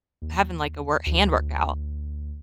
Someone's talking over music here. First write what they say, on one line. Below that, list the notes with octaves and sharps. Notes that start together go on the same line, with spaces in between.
having, like, a wor hand workout.
D#2
D2